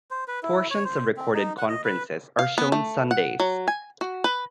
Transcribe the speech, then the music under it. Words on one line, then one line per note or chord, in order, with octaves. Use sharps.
Portions of recorded conferences are shown Sundays.
C5
B4
E4
C#5
C5
C4
D#4
F#5
D#5
B4
F5
B3
A3
F#5
F#3
G#5
F#4
B4